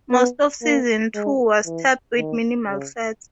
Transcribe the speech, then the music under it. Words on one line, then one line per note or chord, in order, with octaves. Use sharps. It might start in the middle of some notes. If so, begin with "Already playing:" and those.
Most of Season Two was taped with minimal sets.
B3
A#3
G#3
E3
D#3
C#3